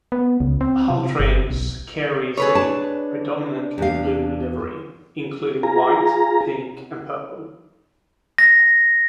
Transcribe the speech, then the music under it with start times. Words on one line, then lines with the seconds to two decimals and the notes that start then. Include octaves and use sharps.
Hull Trains carries a predominantly blue livery, including white, pink and purple.
0.12 B3
0.40 C#2
0.61 C4
0.90 C3
1.19 G1
1.50 B1
2.37 G#4 A4 B4 C#5
2.55 D4 A5
3.78 E2 F5
5.63 F4 G#4 A#5
8.38 A#6